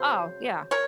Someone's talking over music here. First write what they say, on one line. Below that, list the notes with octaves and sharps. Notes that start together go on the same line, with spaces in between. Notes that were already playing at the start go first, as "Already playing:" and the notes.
Oh, yeah.
Already playing: C#3 F#3 C4 C5
A#4 C#5